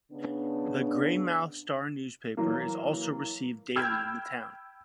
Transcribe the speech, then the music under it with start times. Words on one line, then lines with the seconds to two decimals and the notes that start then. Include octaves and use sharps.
The Greymouth Star newspaper is also received daily in the town.
0.12 C#3 B3 D4
2.37 E3 F#3 A#3
3.76 G5 B5 E6 F6 G6 G#6